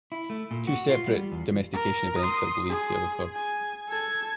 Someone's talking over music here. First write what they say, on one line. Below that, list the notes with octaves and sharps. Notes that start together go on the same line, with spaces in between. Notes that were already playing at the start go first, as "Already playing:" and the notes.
Two separate domestication events are believed to have occurred.
E4
A3
A#2
F#4
F4
G3
E2
A#4
C6 D#6
G#4
G#5
A4 G#6